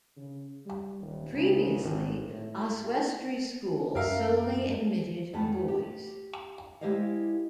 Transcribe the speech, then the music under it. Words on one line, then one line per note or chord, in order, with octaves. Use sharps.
Previously, Oswestry School solely admitted boys.
C#3
G3
D#1
C#2
G#1
A2
F#2 A#4 E5 F5
F2 G#3 A3 B3 B4 A5
G4
G#3 E4 G4 C5 D#5 F5